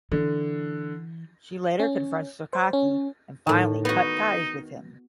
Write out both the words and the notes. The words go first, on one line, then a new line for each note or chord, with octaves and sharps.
She later confronts Sakaki and finally cut ties with him.
D3 E3
C#4
C5
C#4
A2 D#3 A5
B3 D#4 F#4